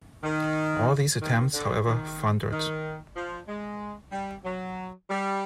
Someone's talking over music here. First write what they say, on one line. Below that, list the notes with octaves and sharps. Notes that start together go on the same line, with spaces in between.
All these attempts, however, foundered.
D#3
D#3
D3
D#3
D#3
F3
G#3
G3
F#3
G3